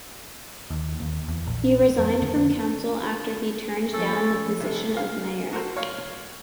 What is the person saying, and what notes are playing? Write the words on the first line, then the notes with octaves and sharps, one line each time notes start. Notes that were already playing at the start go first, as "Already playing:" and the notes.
He resigned from council after he turned down the position of mayor.
D#2
D#2
E2
A#1
F2
D3
F3 C#4 A4
C3 G3 A3
F5
F#4 A4 A#4 C5
C#5 F5